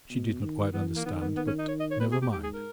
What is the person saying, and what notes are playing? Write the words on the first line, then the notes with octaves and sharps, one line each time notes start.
She did not quite understand--but never mind.
B2
D#3
E3 B3
A#3
D#3 B3
B3
B3
C#4
D#4
C#5
D#5
C#5
B2 B4
G#4
G4
G#2 G4
G#4
A#4